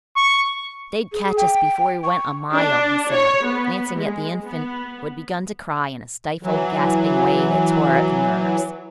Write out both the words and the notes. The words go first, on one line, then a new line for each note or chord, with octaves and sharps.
"They'd catch us before we went a mile," he said, glancing at the infant, who had begun to cry, in a stifled, gasping way that tore at the nerves.
C#6
G#4
G5
C#6
D4
C#5
B3
G#3
B3
E3 F#3